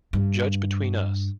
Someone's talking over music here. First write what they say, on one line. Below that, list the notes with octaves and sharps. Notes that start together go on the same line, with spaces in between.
Judge between us.
G2